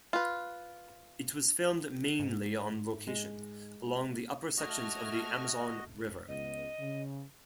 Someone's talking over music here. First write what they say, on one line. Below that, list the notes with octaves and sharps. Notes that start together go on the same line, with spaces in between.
It was filmed mainly on location, along the upper sections of the Amazon River.
F4 B4
G#2
G#3
A3 F#4 D#5 F6 G#6
C#2 B3 D#5
C#3